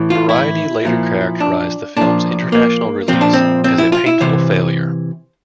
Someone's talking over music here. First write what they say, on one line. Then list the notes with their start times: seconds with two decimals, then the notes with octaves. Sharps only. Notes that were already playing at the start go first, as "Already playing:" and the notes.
"Variety" later characterized the film's international release as "a painful failure".
Already playing: A2 E3
0.10 F4
0.29 E4
0.85 A#2 F3
1.40 D4
1.97 A#2 F3 D4
2.52 A#3
3.08 A#2 F3 C4
3.21 D4
3.33 C4
3.64 C4
3.78 E4
3.92 F4
4.06 E4
4.20 C3 E3 C5